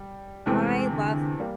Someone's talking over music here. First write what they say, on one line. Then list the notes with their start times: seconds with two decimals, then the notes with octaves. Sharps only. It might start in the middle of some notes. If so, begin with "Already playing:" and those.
I love
Already playing: G3
0.46 E2 C3 E3 G#3 A3 C4
0.93 D3
1.40 G3 A#3